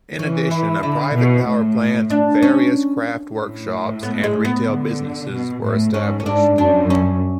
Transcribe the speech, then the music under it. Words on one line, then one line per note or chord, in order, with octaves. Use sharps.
In addition, a private power plant, various craft workshops, and retail businesses were established.
E3 C#4
E4
D3 E4
B2
A2
D4
C#4
A2
B3
G#3
B3
D3
B2
A2
G#2 C#4
C#4
G#2 D4
F#2 D4
C#4